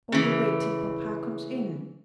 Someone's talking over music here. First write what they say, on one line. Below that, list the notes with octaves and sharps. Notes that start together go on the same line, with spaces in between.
'Only wait till papa comes in.
C#3 E3